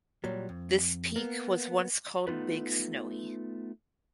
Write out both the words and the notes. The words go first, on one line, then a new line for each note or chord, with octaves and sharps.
This peak was once called "Big Snowy".
A#2 F#3 G3
F2
A#3 B3
A3 B3 D#4 F4 B4